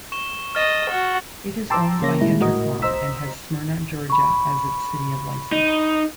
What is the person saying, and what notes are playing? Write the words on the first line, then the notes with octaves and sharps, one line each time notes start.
It is owned by Entercom, and has Smyrna, Georgia as its city of license.
C#6 E7 G7
D#5 F6 A6 E7
F#4
G5 A5 A#5 C6 D6 E6
C#3 A#3 C#5 A#6
A#2 G3 G#3 E4
A2 F#4 A#4 D#5
C5 D#5 A#5 E6 B6
B5 C#6
D#4